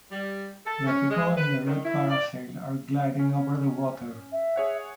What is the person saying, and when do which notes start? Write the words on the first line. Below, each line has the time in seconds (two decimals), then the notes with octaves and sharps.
The people in the red parasail are gliding over the water.
0.11 G3
0.66 A4
0.86 C#4
1.10 G#3
1.36 B4
1.66 D#3
1.84 E4
2.09 D5
3.19 C#4
4.32 E5
4.56 G#4 C#5 F#5